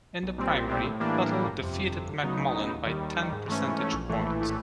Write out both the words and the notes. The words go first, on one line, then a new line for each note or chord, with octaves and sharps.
In the primary, Tuttle defeated McMullen by ten percentage points.
B1
A#2 G3 C4
B1
A#2 G3 C4
A2
E3 G3 A#3 D4
A2
E3 G3 A#3 D4
G1
F2 C3
G1
F2 C3
D2
C#3 F#3 B3 D#4
D2
C#3 F#3 B3 D#4
D#2
D#3 G3
D#2
D#3 G3
G#2
E3 A3 C#4
G#2
E3 A3 C#4
A#1
A2 E3 A3
A#1
A2 E3 A3